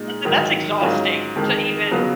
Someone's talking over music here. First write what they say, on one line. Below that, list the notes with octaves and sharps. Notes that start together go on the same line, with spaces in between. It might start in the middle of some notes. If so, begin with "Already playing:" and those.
That's e that's exhausting to even
Already playing: A#2 G#3 D#4
G#2 D#3 F#3
G#2 F#3 C#4 F4
F2 D#3 G#3
C#3 F#3 B3 F4